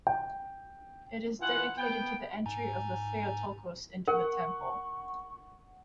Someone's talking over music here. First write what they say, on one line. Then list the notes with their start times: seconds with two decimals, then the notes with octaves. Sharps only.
It is dedicated to the Entry of the Theotokos into the Temple.
0.07 G5
1.40 E3 F4 F#5
1.78 B3 G5
2.46 G#2 G#5 A#5
4.08 A#4 F#5 C#6